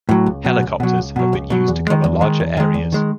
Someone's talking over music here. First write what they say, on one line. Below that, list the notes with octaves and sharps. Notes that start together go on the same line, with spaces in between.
Helicopters have been used to cover larger areas.
A2 F#3
C#2
B2 F#3
C#2
B2 F#3
C#2
B2 F#3
C#2
B2 F#3
E2
D#3 G#3
E2
D#3 G#3
E2
D#3 G#3
E2
D#3 G#3